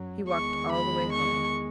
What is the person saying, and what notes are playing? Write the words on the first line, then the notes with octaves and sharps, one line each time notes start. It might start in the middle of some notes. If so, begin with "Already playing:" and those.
He walked all the way home.
Already playing: F#2 F#3
E2 D#3 G#3 C#6
B5
C#6